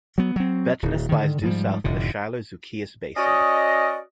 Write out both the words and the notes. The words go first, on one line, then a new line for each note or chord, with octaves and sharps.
Bettinus lies due south of the Schiller-Zucchius Basin.
F#3 B3
F#3 C4
D1
D3 D#3
G#2 F3 G3
F1 A2 D3
C#4 F#4 D5 D#5